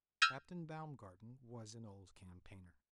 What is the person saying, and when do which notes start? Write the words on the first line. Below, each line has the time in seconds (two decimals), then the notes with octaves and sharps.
Captain Baumgarten was an old campaigner.
0.22 E6 F6 G6 G#6 A#6 D#7